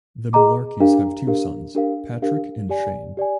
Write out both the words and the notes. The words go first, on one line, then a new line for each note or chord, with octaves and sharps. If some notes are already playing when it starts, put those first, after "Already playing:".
The Mularkeys have two sons, Patrick and Shane.
G#4 D#5 A#5 D6
D4 G4 A#4 F5
D4 G4 A#4 F5
D4 G4 A#4 F5
D4 G4 A#4 F5
G4 D5 G#5
G4 D5 G#5